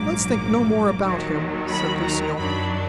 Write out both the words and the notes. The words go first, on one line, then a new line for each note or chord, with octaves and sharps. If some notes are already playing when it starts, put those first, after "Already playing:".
"Let's think no more about him," said Lucille.
Already playing: A#1 G#2 F#3 A#3 D6
D#2 D#3 F#3
B5
A#5
F#2 D#3 F#3 D4 B5